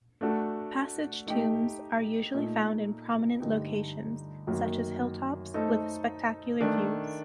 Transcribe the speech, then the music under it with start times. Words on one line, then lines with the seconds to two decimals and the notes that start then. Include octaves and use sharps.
Passage tombs are usually found in prominent locations, such as hill-tops, with spectacular views.
0.21 A3 D4 F#4 A4
1.27 A3 D#4 G4
2.34 A#2 A3 D#4
3.40 G2 D3 A3 D#4 G4
4.47 F#2 D#3 F#3 A#3
5.54 A3 D#4 A4 C5
6.60 D#3 A3 D4 A4